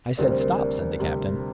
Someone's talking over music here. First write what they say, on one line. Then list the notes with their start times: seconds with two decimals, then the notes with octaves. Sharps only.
"I said, 'Stop,'" said the Captain.
0.18 D2 C3 G3 C4 A#4 D5
0.30 C5
0.39 A#4
0.59 A#4 D5
0.99 D2 C3 G3 C4